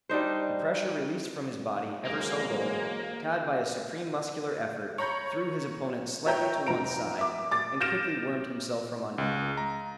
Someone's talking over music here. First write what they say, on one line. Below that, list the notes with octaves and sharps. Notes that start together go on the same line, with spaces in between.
The pressure released from his body, ever so little, Tad by a supreme muscular effort, threw his opponent slightly to one side, and quickly wormed himself from under.
G3 D4 D#4 C5
E2 F#3 G#3 A#3
C#5 A#5 B5 G6
C#5 E5 G5 A#5 G6
F1 F3 A#5 D7
E5 D6
D6 A6
F6 G6 A#6 D7 E7
C#2
A#5